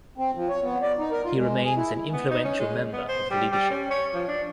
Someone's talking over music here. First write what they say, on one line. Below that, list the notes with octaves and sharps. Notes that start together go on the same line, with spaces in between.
He remains an influential member of the leadership.
C4
F3
C#5
B3
D5
D#4
A#4
F4
G#3
G#4
E4
B3
D#4
C#4
G#3
B3
C5
G3
G3
C#4
C#5
F3
D4